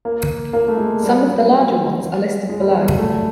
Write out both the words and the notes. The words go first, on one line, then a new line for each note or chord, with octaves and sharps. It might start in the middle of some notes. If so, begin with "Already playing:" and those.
Some of the larger ones are listed below.
A#3
A#3
A3
G#3
G3
F#3
G#3
G3
F#3
G3
A3